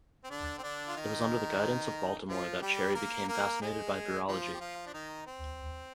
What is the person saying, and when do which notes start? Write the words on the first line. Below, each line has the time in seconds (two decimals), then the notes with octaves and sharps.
It was under the guidance of Baltimore that Cherry became fascinated by virology.
0.24 C4
0.30 D3 D4
0.58 C4
0.63 D3 D4
0.88 F4
0.97 D#3 D#4
2.29 F3 F4
2.62 G3 G4
2.95 A#3 A#4
3.28 A#3 A#4
3.61 G#3 G#4
4.28 F3 F4
4.54 G4
4.60 F3 F4
4.86 D4
4.94 D#3 D#4
5.27 C4